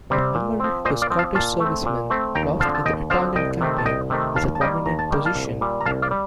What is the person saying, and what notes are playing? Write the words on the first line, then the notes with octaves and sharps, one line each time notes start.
A memorial to Scottish servicemen lost in the Italian campaign has a prominent position.
C3 G3 C4
A#2
F3 C4
A#2 C5 D#5
D5 F5
F3 C4
F5 A5
A#2 F5 A5
A3
C4
A#2
A3 C4
D#2 G5 A#5
D3 F3 C4 F5 A5
A5
D#2 D#5 G5
D3 F3 C4 F5 A5
C2 D#5 G5
C3 D#3 A3 C4
A5
C2 D#5 G5
C3 D#3 A3 C4
D#2 F5 A5
A5
D#3 G3 A#3 D#5 G5
D#2 A#5
A5
D#3 G3 A#3 G5
F5 A5
C2
A#2 G3
A#5
C2 F5 A5
D5 F5
G3